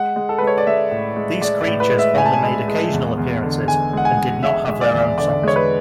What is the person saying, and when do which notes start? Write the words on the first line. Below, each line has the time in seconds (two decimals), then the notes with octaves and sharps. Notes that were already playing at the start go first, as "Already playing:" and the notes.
These creatures only made occasional appearances and did not have their own songs.
Already playing: G#3 F#5
0.16 G#3
0.29 A4
0.38 G#3 B4
0.47 C#5
0.58 D5
0.67 G#3 E5
0.91 A2
1.16 G#3
1.42 G#3 D5
1.61 D5
1.67 A2
1.80 B4
1.92 G#3
1.99 E5
2.17 A2 G#5
2.25 A5
2.33 G#5
2.43 G#3
2.68 G#3
2.93 E2
3.18 E2
3.43 D3
3.68 E2 G#5
3.93 G#3 F#5
4.05 G#5
4.17 G#3
4.43 G#3 E5
4.67 G#3
4.81 D5
4.93 E2
5.18 D3 D5
5.43 G#3 C#5
5.56 B4